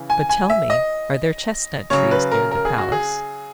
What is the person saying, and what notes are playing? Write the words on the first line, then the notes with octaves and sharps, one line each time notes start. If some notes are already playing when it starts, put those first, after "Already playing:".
But tell me, are there chestnut trees near the palace?'
Already playing: C#3 E3
G#5
G#5
E5
D#5
C#3 F#3 C#5
B4
A#4
A#4
G#4
F#4
G#4